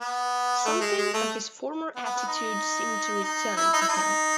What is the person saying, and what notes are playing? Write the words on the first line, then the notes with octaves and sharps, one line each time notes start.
Something of his former attitude seemed to return to him.
B3
A3
G#3
G#3
A3
B3
B3
B3
D#4
D#4
E4
D#4
E4
D#4